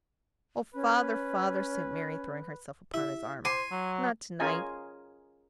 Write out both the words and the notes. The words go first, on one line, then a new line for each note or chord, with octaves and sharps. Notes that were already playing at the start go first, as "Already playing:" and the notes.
'Oh, father, father!' said Mary, throwing herself upon his arm,--'not to-night!
C#4 B4
E4 G4 E5
C5 G#5 C6 D6
F#3
C#4 F4 G#4 A#4 D#5 G#5